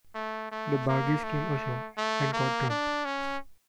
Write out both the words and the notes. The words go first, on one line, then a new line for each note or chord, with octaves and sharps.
The bargees came ashore and got drunk.
A3
A3
A#3
A3
A3
A#3
D4
C#4